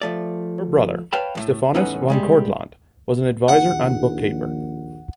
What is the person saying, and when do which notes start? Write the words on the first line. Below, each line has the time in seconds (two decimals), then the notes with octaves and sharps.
Her brother Stephanus van Cortlandt was an advisor and bookkeeper.
0.02 F3 A3 D5
1.13 B4 C#5 F5 G5 A5 B5
1.35 E2 A2 A3
1.74 E2 A2 C#4 D#4 B4 F#5
2.10 C3 G3 G#3
3.48 A#1 D#2 F#5